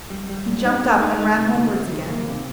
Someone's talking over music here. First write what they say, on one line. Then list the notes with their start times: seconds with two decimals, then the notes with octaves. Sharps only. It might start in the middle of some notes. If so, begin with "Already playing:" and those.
He jumped up and ran homewards again.
0.10 G3
0.29 G3
0.46 A#2
0.65 D#4
0.84 A#3
1.02 D#4
1.19 D#4
1.37 C3
1.55 D2
1.73 C3
1.92 D#3
2.10 A#3
2.28 C3